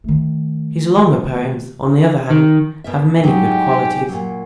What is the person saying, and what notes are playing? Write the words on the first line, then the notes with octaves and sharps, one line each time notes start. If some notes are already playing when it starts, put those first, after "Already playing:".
His longer poems, on the other hand, have many good qualities.
D#3 A3
D#3
B2 A#4 E5
F#3 G#3 D#4 G4
A#2 F#3